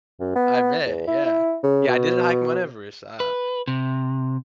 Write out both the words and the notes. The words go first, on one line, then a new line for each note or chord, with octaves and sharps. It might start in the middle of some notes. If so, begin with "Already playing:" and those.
I bet, yeah. Yeah, I didn't hike Mount Everest, uh,
F#2
B3
E2
E4
E4
C#3
B2
B4
C3